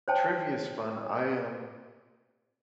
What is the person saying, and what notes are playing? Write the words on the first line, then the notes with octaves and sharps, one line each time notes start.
Trivia's fun. I, um
C5 C#5 G5 A5